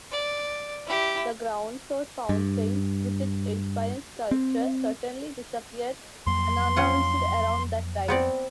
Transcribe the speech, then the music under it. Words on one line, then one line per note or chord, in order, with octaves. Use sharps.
The ground-floor fountain, with its inspiring sculpture, certainly disappeared unannounced around that time.
D5
E4 G4
G2
C4
F2 F#3 A#3 C6
C#4 F4 F#5
B3 C4 D5